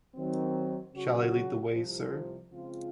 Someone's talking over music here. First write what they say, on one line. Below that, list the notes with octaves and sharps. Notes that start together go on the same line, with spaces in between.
Shall I lead the way, sir?
D#3 F#3 C4
C#3 F#3 C#4 F#4
C2 C3 F3
C#3 F3 G#3 C4 F4